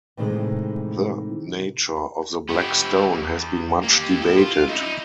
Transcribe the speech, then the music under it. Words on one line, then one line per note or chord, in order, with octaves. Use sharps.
The nature of the Black Stone has been much debated.
A2 C3 D#3 E3 G#3
B3 G4
E2
A#3 G4
E4 A4
F4
D#4 E4